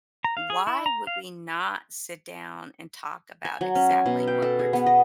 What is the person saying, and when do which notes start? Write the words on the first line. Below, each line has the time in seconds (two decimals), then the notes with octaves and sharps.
"Why would we not sit down and talk about exactly what we're tr
0.24 A#5
0.37 F5
0.50 G#4
0.67 E4
0.86 A#5
1.07 F5
3.45 G#5
3.61 F#3
3.75 C#4
3.90 G#5
4.06 B2
4.27 G5
4.42 A4
4.59 G#4
4.73 B3
4.86 D#5